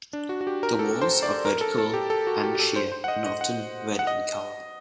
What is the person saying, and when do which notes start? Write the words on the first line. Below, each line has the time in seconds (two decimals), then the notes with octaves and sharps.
The walls are vertical and sheer, and often red in color.
0.13 D4
0.29 F#4
0.41 F#4
0.47 G4
0.63 A#4
0.79 A4
1.02 C5
1.23 D5
1.45 A#4
1.61 A4
1.78 A4
1.93 G4
2.10 A4
2.27 F#4
2.44 G4
2.55 G4
2.59 A4
2.76 C5
2.92 C5
3.04 F#5
3.08 D#5
3.26 D#5
3.41 F#5
3.99 F#5
4.07 D#5